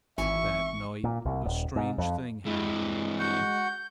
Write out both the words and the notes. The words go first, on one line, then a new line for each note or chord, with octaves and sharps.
That night a strange thing happened.
G#1 E3 E5 G#5 C#6
A#2
C2
D#1
G#2
F2
G2 E3 G#3
F#4 F#5 G6